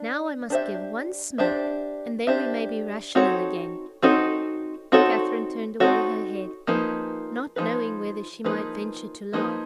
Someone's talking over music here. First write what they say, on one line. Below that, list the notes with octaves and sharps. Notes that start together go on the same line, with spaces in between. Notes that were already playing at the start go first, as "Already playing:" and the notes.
"Now I must give one smirk, and then we may be rational again." Catherine turned away her head, not knowing whether she might venture to laugh.
Already playing: D4
D4 G4 C5 E5
D4 G4 C5 E5
D4 G4 C5 E5
C4 D#4 F#4 A4 C#5
C4 D#4 F#4 A4 C#5
C4 D#4 F#4 A4 C#5
C4 D#4 F#4 A4 C#5
F3 A#3 D#4 G#4 B4
F3 A#3 D#4 G#4 B4
F3 A#3 D#4 G#4 B4
F3 A#3 D#4 G#4 B4